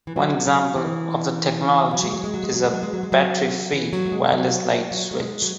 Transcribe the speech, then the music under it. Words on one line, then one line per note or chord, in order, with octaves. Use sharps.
One example of the technology is a battery-free wireless light switch.
E3
F#3
F#3
E3
F#3
G#3
F#3
G#3
F#3
G#3
F#3
G#3
F#3
G#3
F#3
G#3
F#3
E3
F#3
A3
G#3
F#3
F#3
A3
G#3
F#3